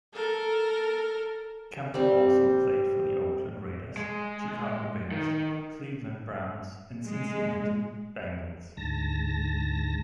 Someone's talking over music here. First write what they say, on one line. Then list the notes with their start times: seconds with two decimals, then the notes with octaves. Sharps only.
Campbell also played for the Oakland Raiders, Chicago Bears, Cleveland Browns, and Cincinnati Bengals.
0.13 A4 A#4
1.94 G3 C4
3.97 G#3
5.11 D#3
7.06 G#3
8.77 D2 G#2 A5 A#6